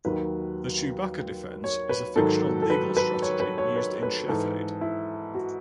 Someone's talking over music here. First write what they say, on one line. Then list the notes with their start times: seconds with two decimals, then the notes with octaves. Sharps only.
The Chewbacca defense is a fictional legal strategy used in "Chef Aid".
0.05 D#2 D#3 F#3 B4
1.64 C#5
1.89 B4
2.16 G#2 D#3 F#3 A4
2.62 A4
2.70 B4
2.97 B4
3.22 C#5
3.40 B4
3.58 C#5
3.76 B4
4.03 B4
4.28 G#2 E3 A4
4.81 E4
5.35 F#4